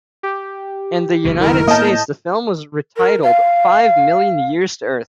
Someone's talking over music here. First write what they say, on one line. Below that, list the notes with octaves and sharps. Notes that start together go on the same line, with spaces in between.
In the United States the film was retitled "Five Million Years to Earth".
G4
F#1 D2 B2
D#3 E4 A#4
A2 A#3 B3 D#5 A5 G6
A#4
F5